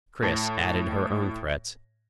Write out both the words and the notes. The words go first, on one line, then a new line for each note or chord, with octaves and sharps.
Chris added her own threats.
A2 A5 A#6